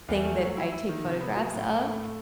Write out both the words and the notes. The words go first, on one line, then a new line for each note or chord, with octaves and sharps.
thing that I take photographs of,
E2
A3
F#3
E4
E4
D#3
C3
B3
F#3
A2
A2
A3